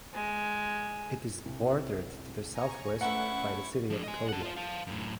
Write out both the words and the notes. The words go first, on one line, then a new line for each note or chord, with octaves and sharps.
It is bordered to the southwest by the city of Kodiak.
G#3
C2
G#5 A#5 C#6
A3 C#4 E4 B4 F#5 A#5 C#6 E6
F3 D4
D#5 G#5
F#5 A5
F4 C5
F5 A5
F#2 A2